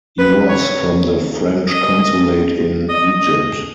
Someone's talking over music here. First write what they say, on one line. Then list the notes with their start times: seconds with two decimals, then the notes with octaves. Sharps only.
He was from the French consulate in Egypt.
0.19 B4
0.49 C#5
1.69 D#5
2.89 D#5
3.20 D#5